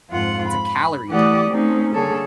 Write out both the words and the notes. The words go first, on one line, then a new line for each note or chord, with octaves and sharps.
it's a calorie dump.
F2 G#2 F4 F#5
B5
E3 A3 G4 D5 F#5 D#6
A3 C4 C#4 D#4
D3 G3 A#3 G#4 A4 C#5